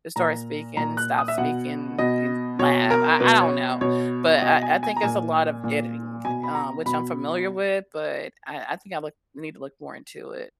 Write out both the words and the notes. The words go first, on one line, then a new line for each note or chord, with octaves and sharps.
to start speaking and stop speaking in lab. I I don't know. But I I think there's a lot of editing, uh, which I'm familiar with, but I I think I look need to look more into it.
A#2 A#5
A#2 A#5
F#6
D#6
E5
B2 F#5
B2 D#5
B2 C#5
A#4
B2 B4
C#5
B2 C#5
B2 D#5
G#5
G#5
A#5
A#2 G#5
A#2
B2 G#5
B5
A#5
B2 B5